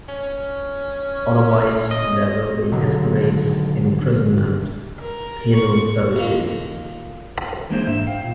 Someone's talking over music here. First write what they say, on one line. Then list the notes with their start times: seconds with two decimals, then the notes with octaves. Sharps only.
Otherwise there will be disgrace, imprisonment, penal servitude.
0.09 C#4
1.91 D#5
2.72 B2 D3 D#3 F#3
5.00 A#4
5.55 C#6
6.16 F2 D#3 A#3
7.70 E3 G#3 A#3 D4 F4 C5
7.87 G#2 E5
8.07 F5 G5
8.20 G2 A#2